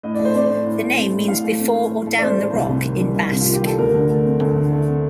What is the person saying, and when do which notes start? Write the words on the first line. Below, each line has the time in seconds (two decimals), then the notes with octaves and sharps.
The name means 'before or down the rock' in Basque.
0.03 A2 D#5
0.14 A3 D5
0.25 C5
0.34 C4 D5
0.50 A2
0.66 A2
0.82 A3
0.97 C4
1.13 A2
1.28 A2 F5
1.44 A3
1.60 C4
1.75 A2
1.91 A2
2.06 A3
2.18 D5
2.22 C4 C5
2.37 A2
2.53 C2
2.69 C3
2.85 D#3
3.00 G3
3.16 C2
3.32 C3
3.41 F4
3.47 D#3
3.53 G4
3.63 G3 A4
3.78 D2 A#4
3.94 D3
4.09 A3
4.25 C4
4.40 D2 A4
4.56 D3
4.72 A3
4.88 C4